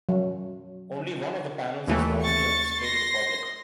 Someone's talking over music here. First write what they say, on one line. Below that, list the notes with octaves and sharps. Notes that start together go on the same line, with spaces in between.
Only one of the panels is normally on display to the public.
F#3
D#2 E3 A3
C#6 A6
C6 A#6